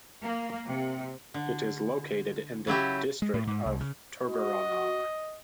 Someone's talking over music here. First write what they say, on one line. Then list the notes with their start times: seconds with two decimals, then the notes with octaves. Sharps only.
It is located in the district of Tuggeranong.
0.22 A#3
0.67 C3
1.34 D3
2.67 C#3 F#3 E4 G4
3.22 G#3
3.34 A2
3.47 G#2
3.65 C2
3.80 C#3
4.28 F#4 D#5